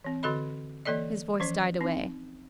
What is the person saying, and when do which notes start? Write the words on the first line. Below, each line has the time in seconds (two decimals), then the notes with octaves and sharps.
His voice died away.
0.04 E3 C4
0.23 D3 F#4 A4 D#5 B5
0.85 E3 A#3 A4 D5 D#5
1.40 E3 F3 C#4 C5
1.81 C4 D#4